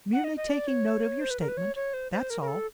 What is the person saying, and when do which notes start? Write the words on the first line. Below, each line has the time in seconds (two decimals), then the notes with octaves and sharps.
'Merely taking note of your statement, that's all.
0.13 F#5
0.24 D#5
0.37 D#5
0.49 D5
0.67 C#5
1.21 C5
1.31 B4
1.40 A#4
1.48 B4
1.57 C#5
1.76 C#5
1.94 C5
2.12 C5
2.30 A#4
2.41 A#4
2.47 A4